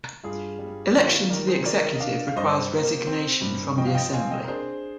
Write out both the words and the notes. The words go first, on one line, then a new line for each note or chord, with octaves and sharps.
Election to the executive requires resignation from the Assembly.
G2 F4 G#4
G3
D#3 F4
F4
D#3 A#4 D5
G#4 C5
D#3 A#4 D5
D#5
D4 D5 F5
F5
G2 C5 D#5
A#3
C4
G2
F3 D#5 G5
F5
D#5 G5
C4 F5 G#5
D#5 G5
A#4
D4 G#4 C5